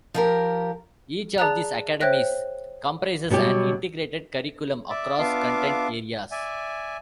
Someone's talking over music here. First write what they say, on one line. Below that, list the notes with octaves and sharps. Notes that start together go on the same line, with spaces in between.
Each of these academies comprises an integrated curriculum across content areas.
F3 G4 A#4
G#4 D5 A5 A#5 F#6 F7
C5 C#5 E5 G5 F#6 A#6
B2 F#3 G3 G4
D5 E5
B3 D4 F4 E5 F5 D6
D5 E5 G#5